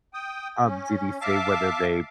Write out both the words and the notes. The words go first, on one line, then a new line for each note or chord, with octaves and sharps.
Um, did he say whether they
G5 D#6
C#4
E5 F5 A5 D6